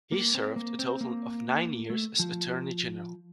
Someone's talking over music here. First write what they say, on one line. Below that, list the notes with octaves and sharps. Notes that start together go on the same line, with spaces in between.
He served a total of nine years as Attorney General.
A#3
C4
A#3
C4
A#3
A3
F3